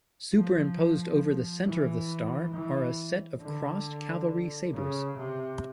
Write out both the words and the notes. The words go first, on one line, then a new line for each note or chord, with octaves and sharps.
Superimposed over the center of the star are a set of crossed cavalry sabers.
F3
E3
E3
D3
C#3
C3